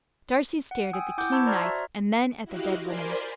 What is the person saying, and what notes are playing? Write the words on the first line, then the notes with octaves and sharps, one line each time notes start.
Darcy stared at the keen knife, and then at the dead woman.
F#5
G5 G#5 D#6 E6
E4 F#5 D6 G6
C5 A5 B5 C#6 E6 G#6
C5 D5 A#5 C6 F6 G#6
F#4 E5
E4 F#4 G4 D#5 F5 F#5
A#4 C5 D5 G#5 B5 C6